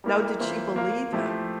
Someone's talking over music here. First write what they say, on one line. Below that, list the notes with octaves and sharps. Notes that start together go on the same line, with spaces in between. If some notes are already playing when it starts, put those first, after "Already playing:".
No. Did she believe him?
G3 A#3 E4 G4 A#4
E3 A#3 F4 C5 E5
A#3 F4 A#4 F5
F3 A3 E4 G4 C5